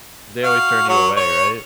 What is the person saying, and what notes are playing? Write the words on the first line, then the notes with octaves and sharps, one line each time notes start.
They always turn you away, right?
F#4 F5
F#3 F#4 C#5
C#5 C#6